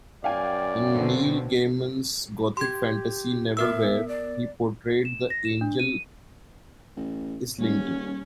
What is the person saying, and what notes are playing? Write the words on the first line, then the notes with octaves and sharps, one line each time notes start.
In Neil Gaiman's gothic fantasy "Neverwhere", he portrayed the angel Islington.
F#2 D5 F5 G5 G#5
B2 D3 C4
G4 C6 G#6
B3 A#4 E5 E6
D5
E7
A#6
E7
D4
D#7
A1
D#1 G3 A#3 C#4